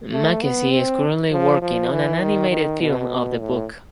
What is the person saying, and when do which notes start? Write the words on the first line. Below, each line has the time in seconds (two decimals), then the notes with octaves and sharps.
Mackesy is currently working on an animated film of the book.
0.13 A3
0.43 B3
0.73 C4
1.32 F3
1.62 F3
1.92 E3
2.21 D#3
2.51 D#3
2.81 B2
3.40 A2